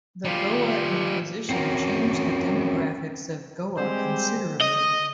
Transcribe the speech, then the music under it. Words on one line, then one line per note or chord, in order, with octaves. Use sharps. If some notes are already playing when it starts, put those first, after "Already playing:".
The Goa Inquisition changed the demographics of Goa considerably.
G3 F4
C4 C#4 F#4 A#4
G3 G#3 C4 G4 C5
D#5